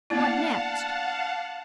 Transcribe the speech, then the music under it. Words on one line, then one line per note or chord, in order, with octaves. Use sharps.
"What next?"
A#3 B3 D4 E4 F5 F#5 A5